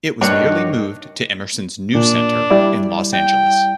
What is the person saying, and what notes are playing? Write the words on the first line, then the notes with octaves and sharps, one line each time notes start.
It was merely moved to Emerson's new center in Los Angeles.
G2 D#3 D4 F#4 C#5
A#2 D4
G3 E4 D5
G5